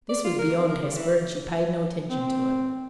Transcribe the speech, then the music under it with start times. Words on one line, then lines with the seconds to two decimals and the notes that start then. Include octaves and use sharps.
This was beyond Hesper, and she paid no attention to it.
0.09 D5
0.24 F4
0.38 A#4
0.57 C4
0.69 A#4
0.84 G3
0.96 E3
2.10 C4